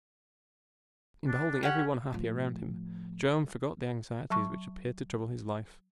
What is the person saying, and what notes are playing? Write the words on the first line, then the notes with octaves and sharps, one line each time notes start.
In beholding every one happy around him, Joam forgot the anxieties which appeared to trouble his life.
D4
C#4 G4 F#5
A2 F3
F#3 A5 C#6